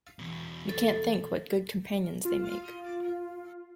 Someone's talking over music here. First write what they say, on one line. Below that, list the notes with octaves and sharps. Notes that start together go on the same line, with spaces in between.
You can't think what good companions they make.
E2 B2
A4
F4